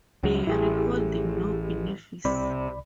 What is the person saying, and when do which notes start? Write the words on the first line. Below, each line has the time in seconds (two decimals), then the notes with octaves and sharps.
Bury, holding no benefice.
0.23 C#2 C#3 F#3
0.47 A1 E4 G4 G#4
2.25 C2 C3 D5 B5